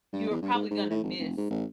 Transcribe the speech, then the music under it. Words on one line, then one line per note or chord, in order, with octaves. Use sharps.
you're probably gonna miss
G2
E2
G2
G#2
G#2
A2
G#1
F1
G#2
A1